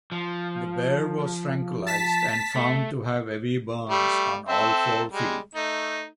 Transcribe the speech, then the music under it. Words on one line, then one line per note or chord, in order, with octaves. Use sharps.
The bear was tranquilized and found to have heavy burns on all four feet.
F3
A5 B6
A3
G3 A3
C4 A4 E5
G3 G#3
A3 D#4